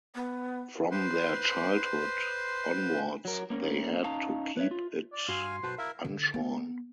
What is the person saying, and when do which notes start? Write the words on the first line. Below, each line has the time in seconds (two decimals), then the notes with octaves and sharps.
From their childhood onwards they had to keep it unshorn.
0.15 B3
0.91 B4 C5 C6
3.25 F#3 A#4
3.50 A#3 C#4 A#4
4.04 C#4 D#4 F5 A5 A#5
4.57 B4 C#5 E5
4.71 F4
5.13 D5
5.28 G2 F#4 F5 G#5 C6
5.63 B1 F#4 B4 C5 A5
5.78 E4 A#4 E5 F5
6.05 D3
6.34 B3